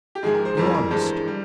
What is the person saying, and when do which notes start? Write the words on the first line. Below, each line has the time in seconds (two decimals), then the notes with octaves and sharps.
They're honest.
0.15 G4
0.23 G#2 F3 G#3 G#4
0.34 A#4
0.45 C5
0.57 F2 E3 G3 A#4
0.66 G#4
0.74 A#4
0.91 G2 E3 G#3 C5
1.28 G3